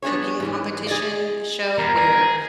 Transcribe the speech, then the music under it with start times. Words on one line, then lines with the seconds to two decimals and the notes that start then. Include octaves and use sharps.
cooking competition show where
0.02 B3 D4 D#4 G#4 C#5
0.40 G#2 E3
0.87 G#4 D5 D#5
1.78 E2 A#4
1.98 G#4